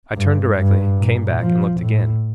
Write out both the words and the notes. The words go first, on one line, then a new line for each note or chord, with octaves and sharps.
I turned directly, came back, and looked again.
G2
G2
A#2
F3
A2